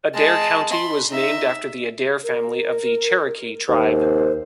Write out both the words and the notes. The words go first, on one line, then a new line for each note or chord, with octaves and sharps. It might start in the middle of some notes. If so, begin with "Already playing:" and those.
Adair County was named after the Adair family of the Cherokee tribe.
G#3 A5
B5 C6
D#4 E5
A#4
D#2 C5